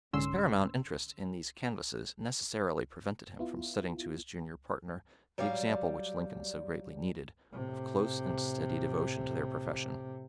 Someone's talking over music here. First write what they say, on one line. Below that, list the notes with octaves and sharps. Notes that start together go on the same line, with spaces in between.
His paramount interest in these canvasses necessarily prevented him from setting to his junior partner the example which Lincoln so greatly needed, of close and steady devotion to their profession.
C2 G#2 D3 C#4 C6 E6
B3 E4 F4
F#3 G3 D5 F5
A2 C3